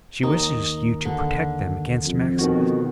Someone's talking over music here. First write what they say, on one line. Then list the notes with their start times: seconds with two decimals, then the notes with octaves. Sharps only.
She wishes you to protect them against Maximus.
0.23 D#2 D#3 D#4
1.05 D3
2.06 F2
2.39 B2 D#3 F#4